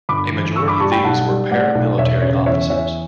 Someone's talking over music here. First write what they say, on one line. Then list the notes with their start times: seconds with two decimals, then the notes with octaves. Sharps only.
A majority of these were paramilitary officers.
0.09 G1 B5 D6
0.32 E3
0.56 G2 C#6 E6
0.68 B5 D6
0.80 G3 A5 C#6
0.92 G5 B5
1.03 B1 F#5 A5
1.27 G3
1.51 A2 D5 F#5
1.75 B1
1.98 E1 C#5 E5
2.22 C#3 C#5
2.46 E2 C#5 E5
2.70 E3 C#5 E5